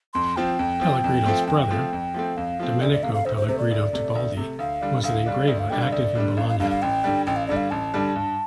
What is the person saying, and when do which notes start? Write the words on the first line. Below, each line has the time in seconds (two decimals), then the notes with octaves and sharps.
Pellegrino's brother, Domenico Pellegrino Tibaldi was an engraver active in Bologna.
0.14 F2 C6
0.36 F3 C4 G5
0.59 F2
0.81 F3 C4
1.04 F2
1.26 F3 A3 C4
1.47 F2 G5
1.71 F3 A3 C4
1.93 F2
2.14 F3 A3 C4
2.37 F2 F5
2.59 F3 A3 C4
2.81 D2 D5
2.93 D5
3.03 C3 F5
3.07 A3
3.14 F5
3.25 D2 C5
3.37 C5
3.48 C3 A3 C5
3.59 D5
3.71 D2
3.93 C3 A3
4.15 D2
4.37 C3 A3
4.59 D2 F5
4.81 D3 G3 D4
5.04 D2 F5
5.26 D3 G3 D4
5.48 D2 D5
5.59 F5
5.70 D3 G3 D4 G5
5.82 F5
5.92 D2 D5
6.15 D3 G3 D4
6.37 A1 F5
6.49 F5
6.60 G2 D3 G3 F5
6.71 F5
6.82 A1 G5
7.04 G2 D3 G3
7.26 A1 G5
7.36 F5
7.47 G2 D3 G3 D5
7.56 F5
7.71 A1 A5
7.94 G2 D3 G3
8.15 G2